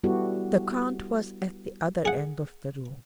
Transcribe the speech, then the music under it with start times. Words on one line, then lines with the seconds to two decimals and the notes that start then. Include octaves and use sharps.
The count was at the other end of the room.
0.04 G3 B3 E4 F#4 G4 A4
2.05 G#4 F#5